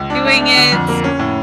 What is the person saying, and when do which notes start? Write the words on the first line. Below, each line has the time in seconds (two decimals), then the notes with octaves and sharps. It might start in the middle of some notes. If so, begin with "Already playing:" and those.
"doing it?"
Already playing: C#2
0.10 D4
0.25 A3
0.41 D4
0.57 D3
0.72 F2
0.89 A#3
1.04 C#4
1.20 A2